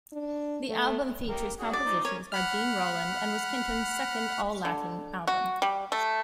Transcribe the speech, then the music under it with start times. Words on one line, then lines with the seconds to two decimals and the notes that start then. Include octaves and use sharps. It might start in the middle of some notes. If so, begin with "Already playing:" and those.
The album features compositions by Gene Roland, and was Kenton's second all-Latin album.
0.13 D4
0.68 A3
1.29 A#3 G4 A#4
1.60 D4 F#4 G#4
1.73 D5
1.85 F3 D#4 C5
2.05 C#4 A#4 C#5 G#5
2.32 F#5 B5 F6
4.65 D3
5.27 F#4
5.62 G3
5.92 A3